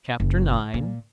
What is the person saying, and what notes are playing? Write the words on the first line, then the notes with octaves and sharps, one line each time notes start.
Chapter IX.
F#1
A#2